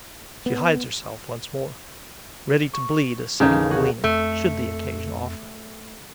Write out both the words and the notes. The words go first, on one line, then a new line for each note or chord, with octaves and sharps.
She hides herself once more, ready to bleed a second gleaner should the occasion offer.
B3
C#6
A1 D#2 C#3 D#4
F#4 G#4
F2 A3